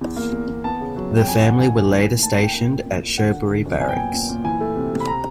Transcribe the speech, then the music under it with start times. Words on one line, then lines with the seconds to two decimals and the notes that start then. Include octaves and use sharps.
The family were later stationed at Shoebury Barracks.
0.01 E2
0.16 A#3
0.32 E2
0.48 E2
0.64 B3 A5
0.81 C#3
0.96 F#3
1.11 F#3
1.17 G5
1.27 F2 G#5
1.43 F2 F#5
1.59 D#3 G#5
1.75 D#3
1.91 A2
2.07 A#3
2.22 A2 A5
2.33 A5
2.39 A2 G5
2.54 A#3 G5
2.71 A#2
2.86 A#2
3.02 A#3
3.17 D3 F#5
3.33 D3
3.49 D3
3.66 F#2
3.80 B3 G#5
3.89 G5
3.97 A#2 G#5
4.13 A#2
4.29 A#2
4.44 E3 G#5
4.60 A3
4.76 C3
4.92 C3
5.00 B5
5.07 A#5